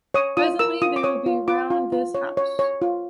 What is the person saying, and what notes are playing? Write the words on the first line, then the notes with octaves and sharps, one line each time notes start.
Presently they will be round this house.
C#5 D#6
F4 D#6
A#4 E6
F4 D#6
D6
C#5 D#6
F4
F4 D6
F4
F4
C#5
C#5
C#5
F4